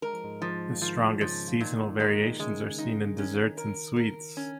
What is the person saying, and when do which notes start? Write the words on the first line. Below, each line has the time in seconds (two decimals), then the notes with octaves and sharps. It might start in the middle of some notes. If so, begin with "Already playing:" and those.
The strongest seasonal variations are seen in desserts and sweets.
0.02 G#3 A#4
0.14 F3
0.24 G#2 G#3
0.41 G#2 F3 G#3
0.75 F4
0.81 D#3 F3 D#4
1.20 C#3 F3 C#4
1.48 F4
1.60 A#2 D#3 D#4
2.00 D#3 G#3 D#4
2.39 C#3 G#3 C#4
2.78 C#3 D#4
3.17 D#3 C#4
3.57 A#4
3.96 A#4
4.37 C#4